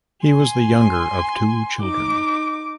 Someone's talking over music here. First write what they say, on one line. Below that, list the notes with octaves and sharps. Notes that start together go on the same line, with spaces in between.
He was the younger of two children.
G#5 C6
D#4 D6